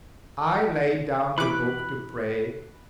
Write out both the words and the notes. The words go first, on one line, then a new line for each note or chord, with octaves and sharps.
I laid down the book, to pray.
E3 B5 C#6 D6 F#6